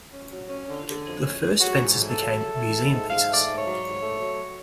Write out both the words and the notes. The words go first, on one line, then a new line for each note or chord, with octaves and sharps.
The first fences became museum pieces.
C#4
F#3
C#4
D3
D3
F2
C#4
F#3
F#3 F#4
G#2
A3
A4
F#3
A3
A3
A3
G#2
G#2 F5
A3
D5
G#2
C#5
F#3
G#2
A3
F#3